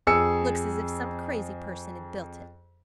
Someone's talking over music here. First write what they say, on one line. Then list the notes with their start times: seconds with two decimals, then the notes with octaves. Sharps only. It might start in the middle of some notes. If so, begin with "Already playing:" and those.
Looks as if some crazy person had built it.
0.07 F2 G#4 E6 C#7